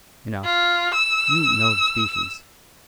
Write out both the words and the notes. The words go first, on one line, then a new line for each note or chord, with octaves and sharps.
Enough, you know the species.
F4
E6